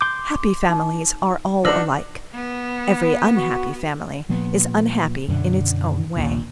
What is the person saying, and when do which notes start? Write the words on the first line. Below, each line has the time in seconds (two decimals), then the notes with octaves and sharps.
Happy families are all alike; every unhappy family is unhappy in its own way.
0.01 C6 D6 G6
0.69 D#4
1.65 F3 D4 D#4 F#4 B4 E6 A#6 F#7
2.34 B3
3.37 F#4
4.29 A#2 F3 A#3 B3
5.28 F#2 B2 D3 F#3
6.16 A#1 D#2 A#2